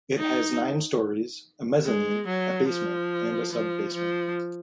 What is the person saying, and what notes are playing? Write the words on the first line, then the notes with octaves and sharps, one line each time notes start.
It has nine storeys, a mezzanine, a basement and a sub-basement.
D#4
G#3
F#3
F3
F3
F3